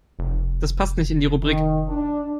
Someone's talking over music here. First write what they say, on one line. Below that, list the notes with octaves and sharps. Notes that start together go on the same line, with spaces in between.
Das passt nicht in die Rubrik.
F1
D#3
D4